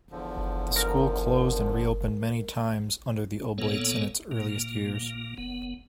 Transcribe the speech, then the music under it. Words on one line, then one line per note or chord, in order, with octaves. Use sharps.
The school closed and re-opened many times under the Oblates in its earliest years.
E2 D3 F3
A#4
A#2 A#3 B3 A4 C#5
A#2 A#3
F#1 B3